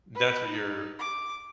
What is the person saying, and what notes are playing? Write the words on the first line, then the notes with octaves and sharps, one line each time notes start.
that's what your
B4
D#4
D6